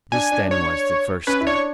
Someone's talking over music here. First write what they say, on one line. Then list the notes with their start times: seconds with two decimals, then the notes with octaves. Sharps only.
This then was the first step.
0.12 D4 G#5
0.32 D4
0.51 C#5
1.27 C#4 B4
1.41 E4
1.46 D4 C#5